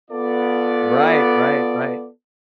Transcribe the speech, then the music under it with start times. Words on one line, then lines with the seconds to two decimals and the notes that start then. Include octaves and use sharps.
Right, right, right.
0.11 B3 F4 A4 D5